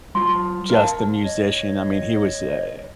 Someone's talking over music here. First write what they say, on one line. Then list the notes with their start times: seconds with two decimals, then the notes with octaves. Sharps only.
just a musician, I mean, he was a
0.15 F#3 F4 C6
0.70 A#4 F5 A5
1.25 C#5 D#5